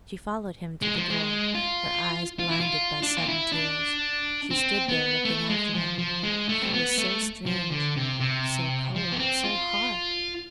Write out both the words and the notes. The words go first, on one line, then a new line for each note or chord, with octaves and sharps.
She followed him to the door, her eyes blinded by sudden tears; she stood there looking after him. He was so strange, so cold, so hard.
G#3
F3
G#3
F4
F4
E4
F4
D4
F4
E4
D4
C4
B3
A3
G#3
F3
F3
G#3
A3
C4
B3
A3
F3
D3
C3
C3
F3
B3
C4
F4